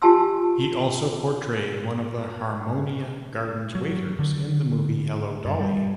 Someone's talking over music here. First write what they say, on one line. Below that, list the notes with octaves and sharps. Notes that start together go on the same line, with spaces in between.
He also portrayed one of the Harmonia Gardens waiters in the movie Hello Dolly!
F4 G4 G#5 A5 C6 E6
F#3
D3
G2
G3